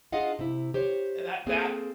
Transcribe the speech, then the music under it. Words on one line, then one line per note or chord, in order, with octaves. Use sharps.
and that that
D4 F4 G#4 D#5 F5 F#5
C3 E4
G4 C5 C#5
A#3 C4 G#4 A4